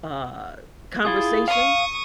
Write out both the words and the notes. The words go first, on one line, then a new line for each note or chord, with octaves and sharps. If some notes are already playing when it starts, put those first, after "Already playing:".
uh, conversation,
E4 F4 G#4
F5 C#6 D#6